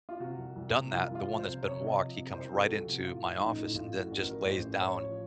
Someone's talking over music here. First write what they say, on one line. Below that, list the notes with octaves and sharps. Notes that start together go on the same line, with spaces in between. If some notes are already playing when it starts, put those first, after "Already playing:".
done that, the one that's been walked, he comes right into my office and then just lays down
F4
C3 F#4
C2
C2
C3
C2 F4
C2
F4
F3
C5
C3
C3 C#5
C3
D#5
F3
C3
C2 C5
C2 F#4 A4
F3
F#4
C3
A2 F4
F3
A1 D#4
A2
A1 F4
A2
F#4
A1
F3 A#4
A1 C5
A1
A1 C#5
F3